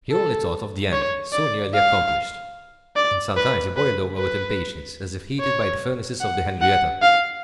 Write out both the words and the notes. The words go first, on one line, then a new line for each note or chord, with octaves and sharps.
He only thought of the end, so nearly accomplished; and sometimes he boiled over with impatience, as if heated by the furnaces of the Henrietta.
A4
C#5
D5
F5
D5
B4
B4
B4
C#5
F#5
F#5
F5